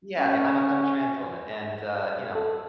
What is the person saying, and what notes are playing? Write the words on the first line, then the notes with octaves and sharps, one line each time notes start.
Yeah, I'm a I'm a trans woman. And, uh, you know,
C#4
A4